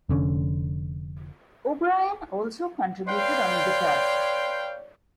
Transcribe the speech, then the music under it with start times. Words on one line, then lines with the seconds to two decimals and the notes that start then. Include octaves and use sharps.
O'Brien also contributed on guitar.
0.09 F1 D3 C#4
3.08 B4 C#5 D5 F5 G5 C6